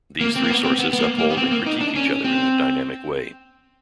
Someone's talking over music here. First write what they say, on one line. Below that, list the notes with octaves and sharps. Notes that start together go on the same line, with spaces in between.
These three sources uphold and critique each other in a dynamic way.
A#3
C4
A#3
B3
C4
B3
B3
A#3
A#3
B3
C4
A#3
D#4
D4
C#4
C4